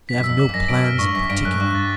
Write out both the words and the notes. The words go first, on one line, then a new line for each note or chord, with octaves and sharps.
They have no plans in particular....
F2 B6
F#2
E6
F2
D6
F2
F#2 A#6
F#2 D7
F6
G2 C#6
F#2 B6
G2 D7
F#2 F#6
G2 D6
A6